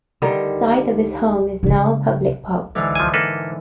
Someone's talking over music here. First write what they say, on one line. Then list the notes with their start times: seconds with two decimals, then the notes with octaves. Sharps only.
The site of his home is now a public park.
0.22 D3 D#3 G3
1.63 C#3 G#3
2.75 G#2 D3 E3
2.95 F3 G#5
3.14 A#3 A4 B4